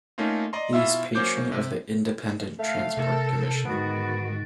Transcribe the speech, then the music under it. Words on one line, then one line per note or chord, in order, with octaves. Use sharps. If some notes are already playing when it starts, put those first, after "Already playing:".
He is Patron of the Independent Transport Commission.
A3 A#3 C#4 D#4 F4
D5 D#5 A#5 C6
B2 E4 F4 E5 F5 E6
F#3 A#3 C#4 C5 D6 G6
C3
A3 F5
C3 A4 A#4
G#2 D3 D#3 B3 F#4